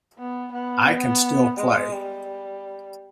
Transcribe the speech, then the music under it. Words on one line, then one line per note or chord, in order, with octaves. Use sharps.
I can still play.
B3
B3
G#3
G3